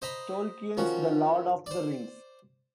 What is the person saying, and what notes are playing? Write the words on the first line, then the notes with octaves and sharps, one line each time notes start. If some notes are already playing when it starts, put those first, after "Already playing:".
Tolkien's "The Lord of the Rings".
C5 D#5 A#5 B5
D#3 F3 C#4 F#4
C5 D5